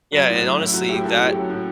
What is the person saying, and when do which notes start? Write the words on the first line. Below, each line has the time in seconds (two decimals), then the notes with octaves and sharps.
Yeah, and, honestly, that
0.12 F#3 F#4
0.28 A2
0.36 F#4
0.42 F#3
0.58 A2 E4
0.73 F#3 F#4
0.88 A2 E4 G4
1.04 F#3 F#4 A4
1.19 A2
1.26 E4 G4
1.34 F#3
1.50 A2 F#4